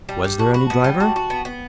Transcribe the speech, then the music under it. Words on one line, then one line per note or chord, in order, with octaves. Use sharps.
Was there any driver?
G3
G3
F#4 A5
F#4 B5
B3 A5
G3
F#4 A5
F#4
B3
B3